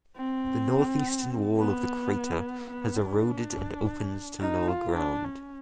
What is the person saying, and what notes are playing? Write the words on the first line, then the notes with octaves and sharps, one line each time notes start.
The northeastern wall of the crater has eroded and opens to lower ground.
C4
B3
B3
D4
D#4
F4
D4
C#4